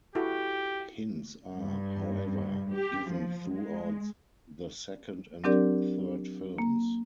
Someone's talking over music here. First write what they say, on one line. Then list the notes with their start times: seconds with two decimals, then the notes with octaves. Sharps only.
Hints are, however, given throughout the second and third films.
0.15 E4 F#4 G4 A4
1.55 G2
2.72 G4
3.10 F3
3.50 G#3
5.44 F#3 C4 D4 G4 A#4 D5
6.58 A#3